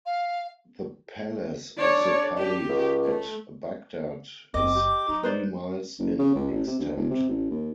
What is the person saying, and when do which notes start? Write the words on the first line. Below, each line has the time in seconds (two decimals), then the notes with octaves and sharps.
The palace of the Calif at Baghdad is three miles in extent.
0.06 F5
1.78 D4 C#5 D5
2.38 G4
2.69 C#2
3.04 A3
4.54 F#1 E2 C4 D#5 D6
4.75 G4
5.09 F#3 D#4
5.23 B4 C5 D5
5.99 F#1
6.18 C#3
6.35 C#2
6.52 A1
6.67 C3
6.79 D2
6.97 E1
7.10 C3
7.29 A1
7.50 D#2